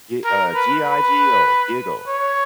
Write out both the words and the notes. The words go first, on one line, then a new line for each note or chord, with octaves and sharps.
g uh, G-I-G-O, GIGO.
A#4
B4
B4
C#5